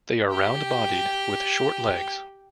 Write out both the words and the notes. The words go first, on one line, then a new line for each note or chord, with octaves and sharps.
They are round-bodied, with short legs.
G4 G5